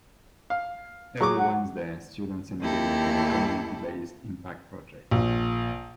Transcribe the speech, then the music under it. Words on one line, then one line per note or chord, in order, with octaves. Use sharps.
Every Wednesday, students engage in a 'community based' impact project.
F5
F#3 G#4 C#6 D6
F#5
D#2 A#3 E4 G4 A4
A#1